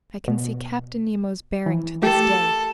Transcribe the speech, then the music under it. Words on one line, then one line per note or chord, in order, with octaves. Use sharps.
I can see Captain Nemo's bearing to this day.
B2
E3
A3 G4 A4